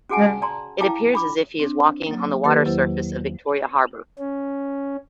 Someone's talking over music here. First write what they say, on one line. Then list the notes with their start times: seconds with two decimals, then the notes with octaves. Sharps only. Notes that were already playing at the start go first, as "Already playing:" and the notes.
It appears as if he is walking on the water surface of Victoria Harbour.
0.09 C#4 F#4 G#4 F#5 G#5 A5
0.42 D5 A5 A#5 C6
0.81 E4 F5 G5 A5 A#5 D6
1.13 D4 B5 D6
1.60 C4 D4
2.07 F#3 A#3
2.44 D#3 A#3 G4 B4 A6
2.66 E2 F#3 E4 C5
4.19 C#4